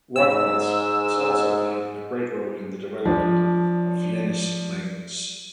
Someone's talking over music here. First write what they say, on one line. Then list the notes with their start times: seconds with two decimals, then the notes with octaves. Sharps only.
"Rotwelsch" has also played a great role in the development of the Yeniche language.
0.16 G#2 E6
3.05 F3 D4